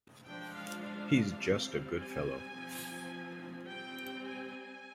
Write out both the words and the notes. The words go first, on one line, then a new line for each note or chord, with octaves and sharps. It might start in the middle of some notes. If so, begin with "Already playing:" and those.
He's just a good fellow.
F3 G#3 D4 G5
F5
F5
G3 C4
G#5
F3 C4
G3 C4 G5
G#5